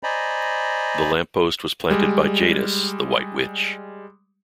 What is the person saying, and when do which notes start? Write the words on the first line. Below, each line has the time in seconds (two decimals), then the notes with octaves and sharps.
The lamp post was planted by Jadis, the White Witch.
0.03 C5 D5 D#5 G#5 A#5 B5
1.90 G3 G#3